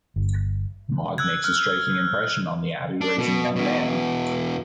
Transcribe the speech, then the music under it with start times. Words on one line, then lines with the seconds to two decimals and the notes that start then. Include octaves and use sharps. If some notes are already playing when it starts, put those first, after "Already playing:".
Maude makes a striking impression on the abbey-raised young man.
0.16 G1
1.18 E6 F#6 G#6
1.44 F6 F#6
3.01 D4
3.18 B2
3.56 E2 B2